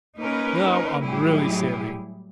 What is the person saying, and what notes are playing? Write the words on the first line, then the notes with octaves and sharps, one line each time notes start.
Now I'm really sailing.
A#3 C#4 D#4 A#4 B4
A2 F#3 G3 E4 G4 G#4